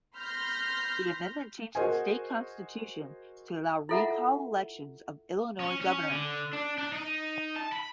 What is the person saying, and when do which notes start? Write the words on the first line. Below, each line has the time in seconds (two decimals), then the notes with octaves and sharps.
The amendment changed the state constitution to allow recall elections of Illinois governors.
0.16 B5 C6 F6 G6 A#6
1.75 F#4 G#4 A#4 C5 D#5 G#5
3.89 E4 F4 A4 E5 F#5 A#5
5.60 C#4
5.81 C#4
6.10 D3
6.53 D4
6.78 D4
6.92 D#4
7.56 A5
7.72 B5